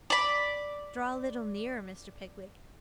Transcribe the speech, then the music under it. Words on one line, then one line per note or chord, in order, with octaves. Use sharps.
Draw a little nearer, Mr. Pickwick.
D5 B5